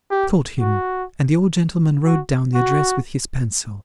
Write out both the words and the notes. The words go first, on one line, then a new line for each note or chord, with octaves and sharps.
Kit told him, and the old gentleman wrote down the address with his pencil.
G4
F#4
F#4
F#4